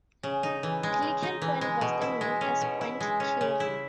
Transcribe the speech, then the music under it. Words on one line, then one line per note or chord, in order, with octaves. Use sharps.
Pelican Point was then known as Point Currie.
C#3
D#4
E3
G#3
C#3
D#4
E3
G#3
B2
E4
G#3
C#4
B2
E4
G#3
C#4
C#3
E4